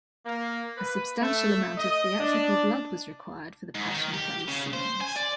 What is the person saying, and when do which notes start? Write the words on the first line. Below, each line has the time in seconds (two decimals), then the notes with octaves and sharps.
A substantial amount of theatrical blood was required for the Passion play scenes.
0.26 A#3
0.77 B4
1.22 A3
1.78 D#5
2.20 D4
3.75 G#2
3.91 D#3
4.14 G4
4.48 C#3
4.73 C5
5.01 G#5
5.16 D5